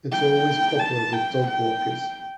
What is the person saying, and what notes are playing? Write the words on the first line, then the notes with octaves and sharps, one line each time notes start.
It's always popular with dog walkers.
G5
A5
G5
G5